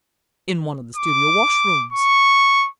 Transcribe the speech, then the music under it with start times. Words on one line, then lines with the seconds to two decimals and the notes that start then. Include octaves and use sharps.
"In one of the studio washrooms."
0.96 D6
1.93 C#6